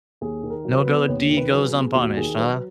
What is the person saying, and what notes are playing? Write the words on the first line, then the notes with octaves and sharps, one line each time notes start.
No go deed goes unpunished, huh?
D#2 G#4
D#3
A#4
F#3
C#5
B4
B3
D#2 C#5
D#3
B4
F#3
G#4
B3
D#2 F#4
D#3 G#4
F#3 B4